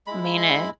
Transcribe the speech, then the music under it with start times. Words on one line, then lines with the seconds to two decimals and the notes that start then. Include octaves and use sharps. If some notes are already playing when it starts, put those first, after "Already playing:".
I mean it
0.07 G#3 E4 B5
0.37 B5